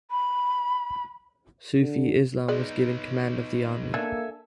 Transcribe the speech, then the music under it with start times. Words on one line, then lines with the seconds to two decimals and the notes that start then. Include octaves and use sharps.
Sufi Eslam was given command of the army.
0.11 B5
1.80 D3
2.48 G#3 B3 D#4 D5
3.94 A#3 D4 A4 E5 G#5